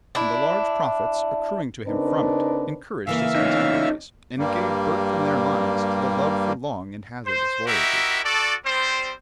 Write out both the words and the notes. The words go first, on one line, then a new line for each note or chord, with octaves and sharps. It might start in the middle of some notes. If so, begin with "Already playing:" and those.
And the large profits accruing to him from it, encouraged his contemporaries, and gave birth in their minds to the love for long and hazardous voyages.
D4 E4
C#3 C4 D4 D#4 A#4 B4
C#3 E3 A#3 E5 F5
C#4 D#4
G2 G3 A#3
C5
D#4 E4 F#4 G4 A#4 E5
F#4 A4 D5
G3 C4 C5